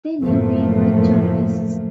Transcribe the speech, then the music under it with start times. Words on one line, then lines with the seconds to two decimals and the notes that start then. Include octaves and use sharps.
They knew we were journalists.
0.21 F#1 F#2 A2 F3 A3 A#3